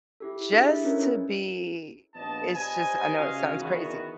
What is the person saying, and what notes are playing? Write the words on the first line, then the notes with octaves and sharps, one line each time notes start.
just to be it's just I know it sounds crazy.
E4 G4 A4
D4 E4 G#4 A4 D5 E5
C#4 D#4 A#4 B4 C#5 D#5
A#1 D#2 B3 D4 D#5 A5
G4 B4 C5 D5 D#5 G#5
C#3 G#3 F#4 B4 D#5 F5
E2 D#3 B3 F#4